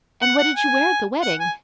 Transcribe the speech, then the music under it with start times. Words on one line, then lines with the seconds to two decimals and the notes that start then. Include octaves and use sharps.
"And what did you wear at the wedding?"
0.22 F#5
0.39 F#5
0.56 G#5
1.22 F#5
1.39 G#5